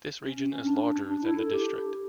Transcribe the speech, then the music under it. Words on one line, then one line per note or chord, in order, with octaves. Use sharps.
This region is larger than the district.
C#4
C#4
D4
D4
E4
A4
G4